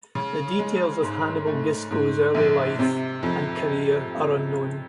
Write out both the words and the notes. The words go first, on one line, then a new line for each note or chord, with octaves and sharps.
The details of Hannibal Gisco's early life and career are unknown.
C#3
G#3
G#2
A3
G#2
A#1
C3
F2